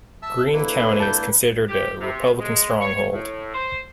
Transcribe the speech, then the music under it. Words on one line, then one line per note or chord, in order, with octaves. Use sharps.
Greene County is considered a Republican stronghold.
E5 A5 E6
A#3 D4 E4 A4 B4
A5 G6
G4
C3
G#3
C#5
A2
C5